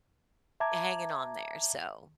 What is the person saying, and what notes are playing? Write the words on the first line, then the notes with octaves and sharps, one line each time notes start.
hanging on there. So
E5 A5 A#5 D6 G#6